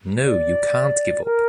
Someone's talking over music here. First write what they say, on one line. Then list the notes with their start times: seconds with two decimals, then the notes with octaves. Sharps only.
No, you can’t give up.
0.24 D5
1.25 A#4